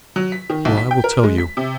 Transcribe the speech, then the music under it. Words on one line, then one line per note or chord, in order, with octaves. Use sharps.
Well, I will tell you.
F#3
B6
D#3
B1
B6
G5
A#4
G#3
B6
C3